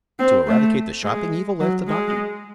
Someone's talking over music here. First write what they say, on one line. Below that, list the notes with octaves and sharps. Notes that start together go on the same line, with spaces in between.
"To eradicate the shopping evil?" laughed the Doctor.
C4
A3
G#3
F#3
G#3